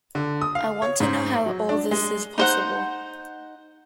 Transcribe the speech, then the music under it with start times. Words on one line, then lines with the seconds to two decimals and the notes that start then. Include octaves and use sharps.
I want to know how all this is possible.
0.15 D3
0.41 D#6
0.55 F5
0.82 C#5
1.00 G#2
1.46 F#3
1.69 D4
1.91 G#3
2.38 D#4 C5 F#5